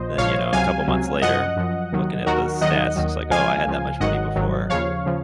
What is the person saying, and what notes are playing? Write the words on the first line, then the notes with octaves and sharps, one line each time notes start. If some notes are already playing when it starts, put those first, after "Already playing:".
Then, you know, couple months later, looking at the stats, it's like, “Oh, I had that much money before.”
Already playing: A#1 A#2 F3 C5 D#5
A#1 A#2 F3 C#5 F5
C#2 C3 F#3 F5 G#5
C#2 C3 F#3
F#2 F3 D#5 F#5
F#2 F3
D#2 D#3 F#3
D#2 D#3 F#3 F#4 A#4
D#2 D#3 F#3 D#5 F#5
D#2 D#3 F#3
C#2 C#3 F3 F5 G#5
C#2 C#3 F3
G#1 G#2 D#3 F#3 D#5 F#5
G#1 G#2 D#3 F#3
D#2 C#3 F3 C#5 F5
C#3 F3